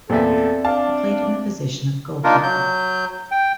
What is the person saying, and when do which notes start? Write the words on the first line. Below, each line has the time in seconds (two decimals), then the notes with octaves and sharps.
He played in the position of goalkeeper.
0.10 E2 A#2 C4 A4 D5 E5
0.65 D4 F5 A5
2.24 A#3 D4 D#4 F4 A#4
2.43 F#3 G6
3.31 G5